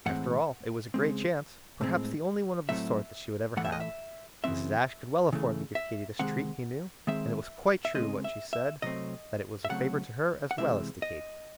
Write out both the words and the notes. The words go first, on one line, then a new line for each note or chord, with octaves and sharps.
After all, it was a great chance,--perhaps the only one of the sort that she would ever have. Mrs. Ashe could well afford to give Katy this treat, he knew; and it was quite true what she said, that it was a favor to her as well as to Katy.
A2 E3 G#3 C4 F#5
C#3 G#3 C4
A2 G#3 C4
A2 F#3 A3 C4 E5
A2 E3 A3 F#5
E5
D#5
E5
C#3 E3 A3 C4 E5
C#3 E3 A3
E5
C3 D#3 G#3 C4 F#5
D#3 G#3 C4 E5
E5
C#3 G#3 C4 D#5
E5
E5
C3 F#3 A3 C4 D#5
E5
C#3 F#3 A3 C4 F#5
F#5
C3 E3 G#3 C4 E5
D#5